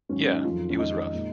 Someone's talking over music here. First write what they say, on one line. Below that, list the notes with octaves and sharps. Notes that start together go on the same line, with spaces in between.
Yeah, it was rough.
G#2 D#3 F#3 C#4
C#4
D#4
F2 D#3 F#3 F4
C#4
F2 D#3 G#3 D#4
A#2 G#3